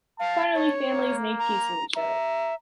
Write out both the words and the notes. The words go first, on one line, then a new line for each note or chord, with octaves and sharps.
Finally, families made peace with each other.
F5 A5
C#5
A#3
A#5
E5 A#5